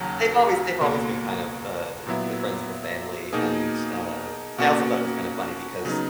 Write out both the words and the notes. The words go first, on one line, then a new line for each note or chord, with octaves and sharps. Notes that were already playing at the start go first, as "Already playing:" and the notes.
they've always they've always been kind of uh, the friends of the family. And, uh, I also thought it was kind of funny because
Already playing: D#2 C#3 F#3 C#4
C#2 B2 A#3
A#2 F#3 B3 E4
B2 A#3 D#4 G#4
B2 A#3 C#4 F#4
C#3 F#3 B3 D#4